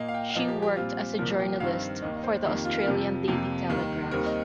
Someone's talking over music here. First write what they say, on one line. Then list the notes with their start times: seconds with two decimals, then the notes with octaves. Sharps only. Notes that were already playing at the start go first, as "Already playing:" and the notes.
She worked as a journalist for the Australian "Daily Telegraph".
Already playing: A#2 A#3 D#5
0.08 F5
0.14 G5
0.30 F5
0.35 A#2 F3 A#3 D#5
0.48 G4
0.62 G4
0.77 A#2 G3 C4 F4
1.19 C2 A#2 F3 A#4
1.39 G5
1.60 G2 D#3 C4 F5
2.02 D#2 D#3 A#3 D#5
2.17 D#5
2.23 C5
2.44 F2 D#3 A#3 G4
2.65 F4
2.81 A#4
2.86 F2 C3 F3 G4
3.28 F2 C3 F3 A#3
3.70 D#2 D#3 G3
4.11 D#2 D#3 G3 C4 A#4
4.26 D#5